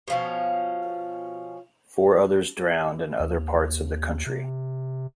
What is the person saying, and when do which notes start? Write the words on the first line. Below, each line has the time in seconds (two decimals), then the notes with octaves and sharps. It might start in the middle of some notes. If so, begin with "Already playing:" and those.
Four others drowned in other parts of the country.
0.08 B2 F3 C#4
3.20 D#2
4.26 C3